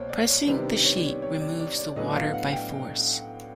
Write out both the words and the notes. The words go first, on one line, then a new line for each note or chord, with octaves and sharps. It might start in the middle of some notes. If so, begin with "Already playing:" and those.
Pressing the sheet removes the water by force.
Already playing: C2 B2 A#3 C5 C#5
D5
C#5
C3 D#3 G3 B3 D4 C5
C#5
D5
C#5
C#5
D5
D5
D5
A2 F#3 B3 D4 D#5
F5
F#5
G5